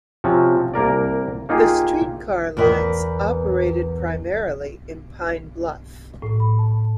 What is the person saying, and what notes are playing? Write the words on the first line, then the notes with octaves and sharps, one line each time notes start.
The street car lines operated primarily in Pine Bluff.
C3 F3 C#4 F#4
C2 A#3 A#4 D5
A#3 D#4 F4 G4 G#4
E2 A#4 B4
A2
B5
A5